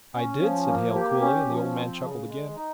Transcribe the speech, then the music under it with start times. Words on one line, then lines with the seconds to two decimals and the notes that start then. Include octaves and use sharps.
"I did," said Hale coolly, and the old man chuckled again.
0.15 C#4
0.41 F3
0.67 A#3
0.95 G4
1.21 C#4
1.49 F3
1.76 C4
2.03 C#3
2.29 G#3
2.56 D#4